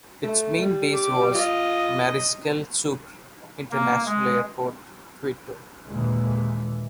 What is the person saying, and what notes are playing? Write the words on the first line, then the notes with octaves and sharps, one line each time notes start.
Its main base was Mariscal Sucre International Airport, Quito.
A3
G3
D6
F4 D#5
A#3
G#3
D#2 A#2 D3 E3 G#3